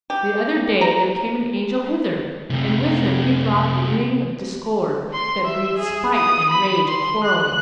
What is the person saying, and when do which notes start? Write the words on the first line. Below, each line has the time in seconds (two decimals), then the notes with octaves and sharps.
The other day there came an angel hither, and with him he brought the ring of discord that breeds spite and rage and quarrelling.
0.10 G4
0.81 A#5
2.50 C3 A3
5.14 C6
5.47 E5
5.79 G#4
6.15 D#6
6.50 B5
6.87 C6
7.24 F#6